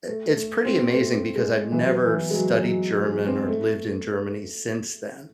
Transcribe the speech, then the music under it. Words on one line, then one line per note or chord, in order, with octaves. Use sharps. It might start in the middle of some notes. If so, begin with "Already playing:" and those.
I it's pretty amazing because I've never studied German or lived in Germany since then.
A3
A3
C4
A3
G#3
E3
F#3
E3
G#3
F#3
F#3
G#3
C4
A3